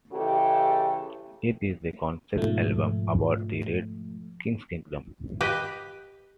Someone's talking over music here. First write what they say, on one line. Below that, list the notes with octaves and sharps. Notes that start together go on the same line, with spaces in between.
It is a concept album about the Red King's kingdom.
C#3 E3 G#3 G4 A4
G#2 B2 F3 A3
G4 B4 D#5